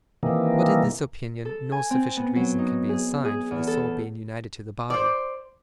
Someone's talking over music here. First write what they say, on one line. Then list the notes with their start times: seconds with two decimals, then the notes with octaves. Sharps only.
But in this opinion no sufficient reason can be assigned for the soul being united to the body.
0.23 C3 D#3 E3 A#3
1.45 A4
1.72 G#5
1.90 C4
2.17 B3
2.36 F#3
2.58 D#4
2.89 G#4
3.25 G#4
3.51 E2
3.67 A4
4.90 C5 D5